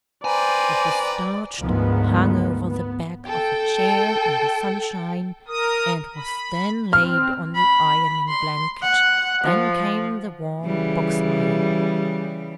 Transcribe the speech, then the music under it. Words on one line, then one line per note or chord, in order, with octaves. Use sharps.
It was starched, hung over the back of a chair in the sunshine, and was then laid on the ironing-blanket; then came the warm box-iron.
B4 C5 D5 G5 G#5 A#5
D2 G#2 D#3 F3 G#3 B3
B3
A4 G5
A#4 D#6
B5
C4 F6
B5
C6
F#5
F3
C#3 E3 G3